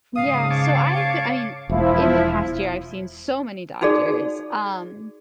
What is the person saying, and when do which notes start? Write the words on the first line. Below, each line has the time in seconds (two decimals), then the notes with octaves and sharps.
Yeah, so I've I mean, m in the past year, I've seen so many doctors, um,
0.16 G#2 C#3 F5 D#6
0.50 C#5 A5 D6
0.93 F5
1.70 E1 F3 E4
3.82 D#4 F#4 G#4 A4 D5